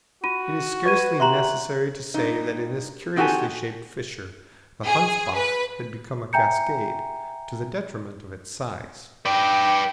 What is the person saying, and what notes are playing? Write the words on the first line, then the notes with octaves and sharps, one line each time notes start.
It is scarcely necessary to say that in this curiously shaped fissure the Hansbach had become a cascade to the detriment of its size.
F4 F#4 D#7
B4 D5 C#6 G#6 D#7
G4 E5 A#5 C6 C#6 F#6 F#7
G2 D#4
C4 D#4 F#4 G4 A4 G#5
G#4
B4
E5 G5 G#5 A#5 G6 C#7
B4 D5 G5